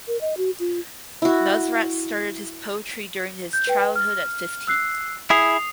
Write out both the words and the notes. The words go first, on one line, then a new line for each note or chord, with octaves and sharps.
Nusrat started his poetry during his childhood at fifteen.
A#4
D#5
F#4
F4
E4 F#4
G6
B4 G5
F6
E6 F#6 C7
E4 G#4 D#6 C7 F7